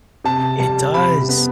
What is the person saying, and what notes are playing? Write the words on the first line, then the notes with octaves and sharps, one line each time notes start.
It does.
C3 A5
G3 A5
C3 B5
B3